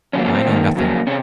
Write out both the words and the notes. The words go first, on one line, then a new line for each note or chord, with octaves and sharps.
"I know nothing."
F#2 C#3 F3 A#3 C#4
C#4
C4
G#2 D#3 A#3
F2 C#3 F#3 A#3
C3 C#4